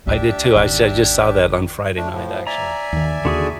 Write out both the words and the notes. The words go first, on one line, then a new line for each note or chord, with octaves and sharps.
I did, too, I said I, just, saw that on Friday night, actually.
D2 D4 F4 G4 E5
G#1 D#2
A3 D4
A2 F3
D5 E5 G#5 A#5
D#2 D#3
D#2 D3 F#4 G#4